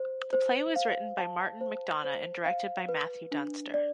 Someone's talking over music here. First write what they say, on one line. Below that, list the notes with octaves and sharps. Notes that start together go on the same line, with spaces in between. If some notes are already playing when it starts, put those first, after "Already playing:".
The play was written by Martin McDonagh and directed by Matthew Dunster.
Already playing: C5
C5
F5
A5
C5
C5
F5
B4
D4
D5